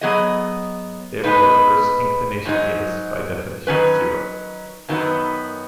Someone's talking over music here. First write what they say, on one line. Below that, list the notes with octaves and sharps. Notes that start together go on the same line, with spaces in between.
Therefore, Earth's inclination is, by definition, zero.
F#3 B3 G#4 D#5
G#3 B3 D#4 B4
G#2 F#3 D#4
D#3 F#3 C#4 B4
F#2 D#3 F#3 B3